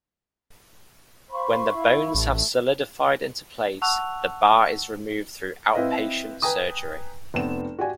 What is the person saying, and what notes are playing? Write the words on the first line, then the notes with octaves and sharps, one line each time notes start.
When the bones have solidified into place, the bar is removed through outpatient surgery.
C5 F5 B5 C#6
E4
A1 A3
F#5 A5 C#6 E6 F#6 F7
C4 E4 B4 D#5 F5
B4 G5 G#5 A#5 D#6
F1 B3 C4 E7
F#4 G4 D5 G#5